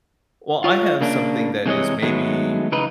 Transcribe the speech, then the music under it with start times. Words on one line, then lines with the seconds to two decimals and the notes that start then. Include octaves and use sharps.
Well, I have something that is maybe,
0.64 F4 C#5
1.01 C#3 A#3 D4
1.66 C3 E3 G#3 C4 C#5 D#5
2.02 D#3 F#3 G#3 A3 B3
2.72 C#3 E3 D#4 B4